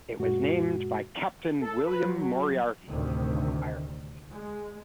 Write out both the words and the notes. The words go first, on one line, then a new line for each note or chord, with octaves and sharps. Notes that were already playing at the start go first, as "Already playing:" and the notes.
It was named by Captain William Moriarty, from Ireland.
F#2 A#2 G#3 F#4
A4
B4
F#3
D2 A2 C3 D#3
G#3